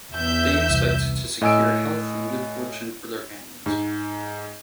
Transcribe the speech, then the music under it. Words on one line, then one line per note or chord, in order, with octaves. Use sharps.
They expect to secure health and good fortune for their families.
E2 E5 G6
C2
A2 D#5 G#5 E6 D7
G#2